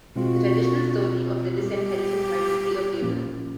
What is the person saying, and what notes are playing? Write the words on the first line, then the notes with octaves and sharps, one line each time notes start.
The traditional story of the disinheritance might be a fable.
B2 G#3 C4 F4 F#4
A#2 G3 B3 G4
A#2 F3 A#3 C#4